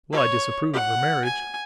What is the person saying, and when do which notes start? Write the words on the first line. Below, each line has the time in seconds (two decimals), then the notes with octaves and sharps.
Well, I disapprove of her marriage.
0.12 C#5
0.74 F#5
1.25 G#5